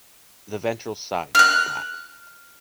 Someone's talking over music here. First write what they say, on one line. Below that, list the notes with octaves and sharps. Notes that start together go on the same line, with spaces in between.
The ventral side is flat.
F6 F#6